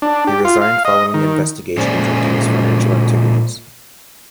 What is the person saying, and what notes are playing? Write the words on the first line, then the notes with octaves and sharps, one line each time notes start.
He resigned following investigations into his financial activities.
D4
G4
F4
F5
D#5
D#3
A#2 G#3 C#4 C5 D5 G#5